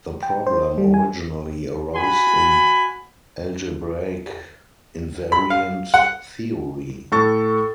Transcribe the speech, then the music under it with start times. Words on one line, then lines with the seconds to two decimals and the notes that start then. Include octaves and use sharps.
The problem originally arose in algebraic invariant theory.
0.23 G5
0.47 C5
0.78 G3
0.94 G#5
1.96 F#4 G#5 B5
5.32 B5
5.50 F5
5.94 F#5
7.12 A2 A4 C#6 A6